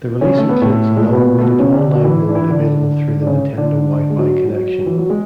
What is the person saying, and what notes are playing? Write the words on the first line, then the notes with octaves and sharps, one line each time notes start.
The release includes the long-awaited online mode available through the Nintendo Wi-Fi connection.
C#3 C#4
A3
B3
A2 A3
G#3
A3
B2 B3
A3
B2 B3
C#3 C#4
D3 D4
F#4
E3 E4
D4
E3 E4
D3 D4
D4
C#3 C#4
D3 D4
G#3
F#3
F#3
E3
F#3
G#3